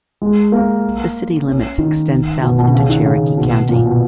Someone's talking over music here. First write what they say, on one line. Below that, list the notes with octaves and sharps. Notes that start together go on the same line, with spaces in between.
The city limits extend south into Cherokee County.
G#3
A#3
C#4
D#3
B2
B2
C#3
D#3
C#3
B2
A#2
B2